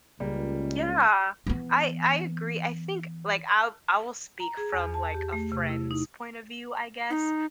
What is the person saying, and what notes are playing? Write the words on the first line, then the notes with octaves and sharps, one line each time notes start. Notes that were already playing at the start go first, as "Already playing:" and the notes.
Yeah, I I agree. I think like I'll I will speak from like a friend's point of view, I guess.
C#2 C#3 G3 A#3
E3 B3
A#5
G#4
E2
A5
G4
A3
C3
E4
D#4
D#4